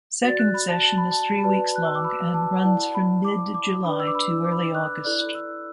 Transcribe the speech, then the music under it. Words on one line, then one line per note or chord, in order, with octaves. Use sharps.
Second session is three weeks long and runs from mid July to early August.
F#4 D5 A6
F#6
B5
A5
A5
B5
A5
B5
F#4 B4 D5 A5
F#6
E6
D6
B5
A5
F#5
E4 D5 A5
B5
D6
D6
D4 B4 D5 B5
E6
D6
B5
D6
B5
D6
F#6
E4 A4 D5 F#6
E6